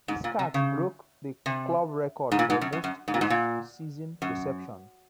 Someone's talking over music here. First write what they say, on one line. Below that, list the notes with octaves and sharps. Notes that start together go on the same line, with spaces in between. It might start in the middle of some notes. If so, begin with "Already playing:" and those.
This catch broke the club record for most postseason receptions.
G#2
A#2
C3
C#3
C3
G#2
A#2
G#2
F#2
F#2
F#2
G#2
A#2
G#2
A#2
F#2